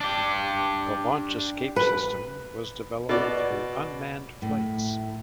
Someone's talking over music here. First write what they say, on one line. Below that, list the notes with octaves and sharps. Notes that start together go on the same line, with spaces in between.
The launch escape system was developed through unmanned flights.
D4 G4
B4
B2 D5
A2